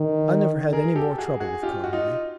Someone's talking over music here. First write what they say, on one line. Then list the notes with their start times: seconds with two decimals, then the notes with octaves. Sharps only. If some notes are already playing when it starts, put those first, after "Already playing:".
I never had any more trouble with Conway.
Already playing: D#3
0.73 G#4 A#4
0.95 G4 A4
1.18 F#4 G#4
1.40 F#4 G#4
1.63 F4 G4
1.84 F#4
1.93 D#4 F4